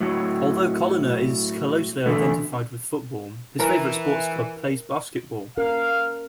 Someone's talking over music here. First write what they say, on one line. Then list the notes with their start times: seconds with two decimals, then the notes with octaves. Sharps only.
Although Collina is closely identified with football, his favourite sports club plays basketball.
0.01 A2 F#3
2.06 E2 D3 A3
3.60 E3 A#4
5.57 C#4 A#4 F5